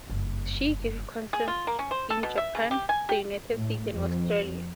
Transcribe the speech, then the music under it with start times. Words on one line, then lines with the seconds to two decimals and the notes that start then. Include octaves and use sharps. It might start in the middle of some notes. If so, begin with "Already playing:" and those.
She gave concerts in Japan, the United States, and Australia.
0.10 F#1 G2
1.33 G#4
1.48 F4
1.67 A#3
1.79 C#4
1.91 C5
2.10 A4
2.23 B2
2.38 E5
2.55 C#3
2.71 G4
2.89 G#5
3.09 G4
3.53 A2
3.90 F2